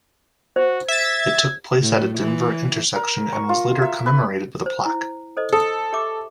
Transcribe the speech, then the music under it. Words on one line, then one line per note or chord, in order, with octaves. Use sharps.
It took place at a Denver intersection and was later commemorated with a plaque.
F#4 C5
E5 G#6 A6
A2
E3
A#4
C#6
F4
E5
B4
C5
E4
A4 C5 D#5
A4 D#6
G4 E5 D6